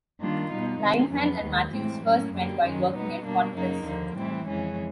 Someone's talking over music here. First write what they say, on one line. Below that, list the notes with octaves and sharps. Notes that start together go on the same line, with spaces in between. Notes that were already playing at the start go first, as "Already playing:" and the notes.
Linehan and Mathews first met while working at "Hot Press".
D#3 G3 A#3 D4 F4
B2 G3 B3 D#4
C3 D#3 G#3
F2 C#3 F#3 B3
D#2 D#3 G#3
A2 E3 G#3 C4
A2 F#3 A#3 C#4
F#2 D3 G3 A#3
F#2 D#3 G#3 C#4
B2 G3 B3 D#4
B2 G3 A#3 D4
F#2 C#3 F#3 A#3 D#4
D#2 D3 F3 A#3
A2 E3 G3 C4 E4
F2 C#3 E3 G#3 C#4